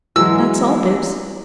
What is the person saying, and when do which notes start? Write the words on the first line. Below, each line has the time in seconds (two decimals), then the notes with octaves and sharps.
That's all, Bibbs.
0.16 E3 F#3 G#3 E6